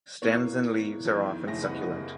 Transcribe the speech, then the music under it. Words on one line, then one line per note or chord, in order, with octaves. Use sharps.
Stems and leaves are often succulent.
E2 A#3 B3 C#5
G1 F2 D#3
F#1 A2 A#6
C2 B4 D#5 F#5
A#3